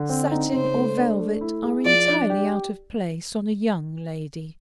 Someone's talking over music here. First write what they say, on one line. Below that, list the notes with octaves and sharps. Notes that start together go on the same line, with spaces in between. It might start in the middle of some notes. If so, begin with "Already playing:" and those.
Satin or velvet are entirely out of place on a young lady.
Already playing: D3
C4
D#4
C#3 C5
A3
D4
A3
E4
G#4
F3 D5
D4
G4